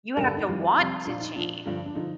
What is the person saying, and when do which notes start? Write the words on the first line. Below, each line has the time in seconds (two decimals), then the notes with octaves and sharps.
You have to want to change.
0.17 G2 D3 G3 A#4
0.27 A4
0.37 D#4
0.46 F2 D#3 G3 F4
0.76 F2 C3 G3
1.05 A#2 F3 D4
1.21 D#4
1.36 A#2 F3 D4
1.66 G2 D3 F3
1.86 D4
1.95 D3 F3 D#4